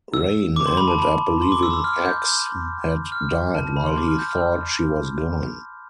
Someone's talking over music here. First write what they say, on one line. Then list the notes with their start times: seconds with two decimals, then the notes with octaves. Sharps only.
Rayne ended up believing Ecks had died while he thought she was gone.
0.14 E6
0.56 D6
0.66 C6
0.77 B5
0.88 A5
0.99 B5
1.42 C6
1.52 D6
1.63 E6
1.73 E6
1.84 F6
2.06 G6
3.12 F6
3.55 A5
3.76 B5
3.87 C6
3.97 D6
4.08 F6
4.19 G6
4.29 F6
4.41 E6